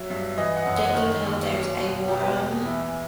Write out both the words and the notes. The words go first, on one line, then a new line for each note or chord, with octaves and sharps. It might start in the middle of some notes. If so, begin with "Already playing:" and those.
Don't you know there's a war on?
Already playing: F#3 E5
G2
E3 D#5
F#5
F#2
F#5
D#3
D#2
F#3
B2
B2 G4
E2
E3 E4